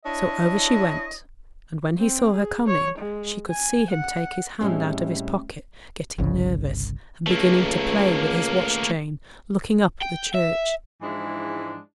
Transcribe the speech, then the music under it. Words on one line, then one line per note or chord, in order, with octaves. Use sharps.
So over she went and when he saw her coming she could see him take his hand out of his pocket, getting nervous, and beginning to play with his watchchain, looking up at the church.
D4 E4 C#5 D#5
C4
G#4
C#5
G#3
G#5
F#5
A2 G3 G#3 C4 C#4
G1 C2 C#3
C#2 A3 A#3
G5
E5
G#2 E3 F3 G#3 D4 E4